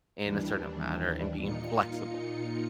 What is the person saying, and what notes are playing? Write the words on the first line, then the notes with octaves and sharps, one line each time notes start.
in a certain matter, and being flexible;
D#2 E3 G3 D4
A#2 D#4 F4 C#7